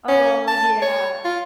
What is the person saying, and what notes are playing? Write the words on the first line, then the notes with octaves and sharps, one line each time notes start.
Oh, yeah.
C#4
A5
C#5
F4